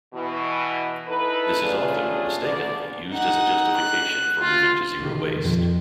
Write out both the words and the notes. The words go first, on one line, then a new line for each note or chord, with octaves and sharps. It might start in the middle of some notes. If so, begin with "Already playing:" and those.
This is often, mistakenly used as a justification for moving to Zero Waste.
B2 E3
D#4 E4 A4 B4
G3 A3 C#4 D4 F4 G#4
D2 D3 D5
D#4 F#5
F#6
F4
D#3
F2